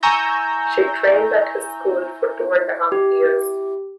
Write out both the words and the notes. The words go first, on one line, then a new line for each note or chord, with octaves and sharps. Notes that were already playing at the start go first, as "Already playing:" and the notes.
She trained at his school for two and a half years.
G#5 A#5 C#6 E6 G6 A#6
G4